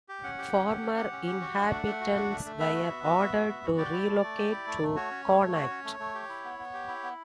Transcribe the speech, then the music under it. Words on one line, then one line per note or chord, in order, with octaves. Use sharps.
Former inhabitants were ordered to relocate to Connacht.
G4
C#4 F#5
G4
C#4
G4
C#4
G4
C#4
G4
F#4
D4
A3
A3
F#4
D4
A3
A3
B3 E5
F#4
B3
F#4
B3
F#4
B3
F#4
G4 D5
E4
A3
A3
G4
E4
A3
A3
F#4 C#5
C#4
A3
A3
F#4
C#4
A3
A3
G4
E4
B3
B3
G4
E4
B3